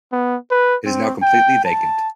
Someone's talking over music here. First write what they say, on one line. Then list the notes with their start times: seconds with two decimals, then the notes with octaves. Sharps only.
It is now completely vacant.
0.12 B3
0.51 B4
0.86 C4
1.22 G5
1.65 A5